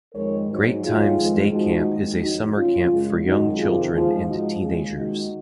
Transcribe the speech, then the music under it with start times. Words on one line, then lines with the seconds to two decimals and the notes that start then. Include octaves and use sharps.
Great Times Day Camp is a summer camp for young children and teenagers.
0.14 F2 D#3 G#3 A#4 C#5
0.48 G#2 F#3
0.83 D#2 D#3 F#3 F4 G#4
1.18 F2 D#3 G#3
1.52 G#2 F3 G#3 D#4 F#4
1.86 D#2 D#3 G#3
2.20 F2 D#3 F#3 D#4 F#4
2.55 A#2 F#3 C#4 F4
2.89 F#2 C#3 G#3
3.23 F#2 D#3 G#3 D#4 F#4
3.58 F2 C3 D#3 F4 G#4
3.92 G#2 F3 G#3 F4 G#4
4.26 G#2 F3 G#3 D#4 F#4
4.61 D#2 C#3 G#3 F4 G#4
4.95 D#2 D#3 G#3 D#4 F#4